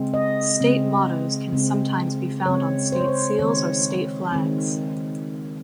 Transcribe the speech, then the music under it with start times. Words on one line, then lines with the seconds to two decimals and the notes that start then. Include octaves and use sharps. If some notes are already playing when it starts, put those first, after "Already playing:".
State mottos can sometimes be found on state seals or state flags.
Already playing: C#3 G#3 C4
0.14 D#5
0.60 C#3 G#3 C4
1.53 C#3 G#3 C4
2.46 C#3 G#3 C4 C#5
2.92 C5
3.01 C#5
3.08 C5
3.39 D#3 G#3 C4 C#5
4.32 D#3 G#3 C4